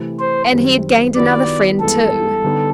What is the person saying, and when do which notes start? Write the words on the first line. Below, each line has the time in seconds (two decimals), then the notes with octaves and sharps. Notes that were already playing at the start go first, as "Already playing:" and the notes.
And he had gained another friend, too.
Already playing: C3 E3 A3
0.20 C5
0.52 F#2 D#3 G3 C4
1.16 D#3 F#3 B3 E4 G4 D5
1.80 G2 E3 G#3 B3 A4
2.44 D3 G3 B3 D#4 G4